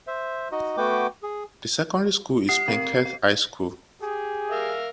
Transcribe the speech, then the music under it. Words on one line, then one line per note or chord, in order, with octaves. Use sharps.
The secondary school is Penketh High School.
C5 E5
D#4 F#4 D#5
A3 B3 F#4 B4 G5 D6
G#4
G4 F#5 D#6 C7
C4 A#4 F5
F5
G4 G#4
A#4 E5 F5